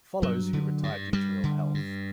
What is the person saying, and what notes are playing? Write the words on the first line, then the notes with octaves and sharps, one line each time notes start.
Follows who retired due to ill health.
G2 F#3
D3
G2
G2 G3
D3
G2